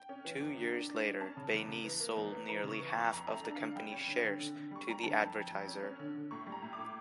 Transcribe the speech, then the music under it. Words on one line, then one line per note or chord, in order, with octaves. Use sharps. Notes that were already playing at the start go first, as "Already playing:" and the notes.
Two years later, Baynes sold nearly half of the company's shares to The Advertiser.
Already playing: G5
C#4
E3
E2
D3
D4
D4
D4
C#4 A5
C#3
E2
C#3
E3
A#3
E2
E3
E3 A#5
C#3
C#6
E3
C#6
E2
F2 A#5
A3 A5
A#5
D4
D3 F5
G3 G5
C#4
D3
D3
D3
D3
G3 C#6
G3 A#5
D3 A5
F2
F2
F2
C#4
C#4
D3
D3
A2 C#6
G3
A#5
A2
D6
A2